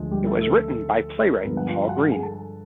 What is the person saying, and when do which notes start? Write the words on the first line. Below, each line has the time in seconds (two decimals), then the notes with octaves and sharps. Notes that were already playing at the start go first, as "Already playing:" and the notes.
It was written by playwright Paul Green.
Already playing: D2 D3 F3 G#3
0.11 G3 G4
0.27 A3 A4
0.41 A3 A4
1.33 A#4
1.45 G2 D3 F3 G#3 B3 B4
1.57 F#5
1.67 F4 F5
1.84 F5
1.89 F#4 F#5
2.12 G#4 G#5
2.23 A4 A5